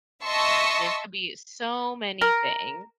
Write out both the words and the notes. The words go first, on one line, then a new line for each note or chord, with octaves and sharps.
There could be so many things
D#5 E5 A5 C6 C#6 E6
A#4